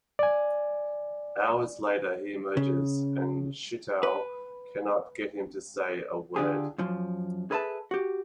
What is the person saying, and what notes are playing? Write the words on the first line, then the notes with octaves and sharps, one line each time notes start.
Hours later he emerges, and Shitou cannot get him to say a word.
D5 G#5
C#3
B4
D3 D4 F4 G4 G#4
F#2 F3
G#4 A4 B4 E5 F#5 A5
F#4 G4